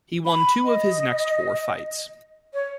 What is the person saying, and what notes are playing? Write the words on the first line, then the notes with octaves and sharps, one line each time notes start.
He won two of his next four fights.
B5
D#5
C#5